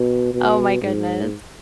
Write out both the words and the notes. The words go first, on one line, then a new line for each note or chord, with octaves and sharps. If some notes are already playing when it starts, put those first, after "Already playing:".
Oh my goodness.
Already playing: B2
B2
G#2